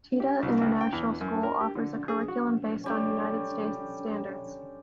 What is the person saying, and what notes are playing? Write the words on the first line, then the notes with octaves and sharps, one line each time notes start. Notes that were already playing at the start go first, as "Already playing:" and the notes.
Teda International School offers a curriculum based on United States standards.
G4
C2
C#2
G5
E2
F#2
A#4
G4
D3
G#4
F#4
D3 G3 C#4